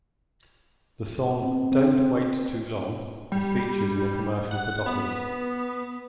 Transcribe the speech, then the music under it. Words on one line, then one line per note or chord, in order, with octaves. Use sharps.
The song "Don't Wait Too Long" was featured in a commercial for Dockers.
C4
C4
G3
F#5
B3